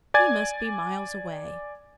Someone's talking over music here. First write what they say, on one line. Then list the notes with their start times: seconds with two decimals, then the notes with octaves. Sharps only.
He must be miles away.
0.14 D5 G#5 G#6 A6